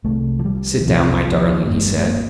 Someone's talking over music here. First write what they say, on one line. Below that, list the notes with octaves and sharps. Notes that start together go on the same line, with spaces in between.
"Sit down, my darling," he said.
C2 C3 A3
F3
G3
E3
C2 C3 F3
F3
G1 G2 D3 A#3
A3
G3
A3
A#3